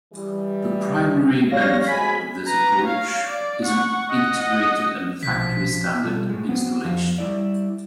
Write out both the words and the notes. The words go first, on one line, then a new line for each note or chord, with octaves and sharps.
The primary benefit of this approach is an integrated and factory-standard installation.
E3 G3
G3 C#5 F5 A#6
F2 F#3 G#3 G#5 B5 B6
B4 A#5
C#5 F5
D5
F#5 C#6
D#5 F#5
D#5 F#5
A#1 B2 F3 B6
B2 G3 F4 A4
A2 G#3
F#3 B3 C4
F2 F3 F5
G3 E4 D5